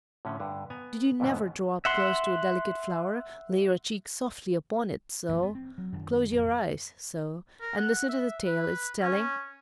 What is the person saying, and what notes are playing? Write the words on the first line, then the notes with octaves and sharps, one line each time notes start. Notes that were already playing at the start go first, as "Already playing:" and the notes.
Did you never draw up close to a delicate flower, lay your cheek softly upon it, so,--close your eyes, so,--and listen to the tale it's telling?
A2 D3 F3 C#4
G2 D3
B3 G#5 A#5
F2 G#2 B2 D3 B3 C#4
E5 F#5 C6
A1 F#2 E3 B3
B3
C4
F#3
F#2 D#3 D4
A1 F2
A#4
F#5
E5
B4
C#4